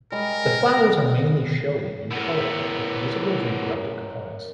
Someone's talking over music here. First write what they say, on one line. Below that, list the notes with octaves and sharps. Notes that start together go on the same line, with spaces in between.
The flowers are mainly showy and colorful with visible reproductive components.
G3 G#3 A#4
A2 B3 C#4 A#4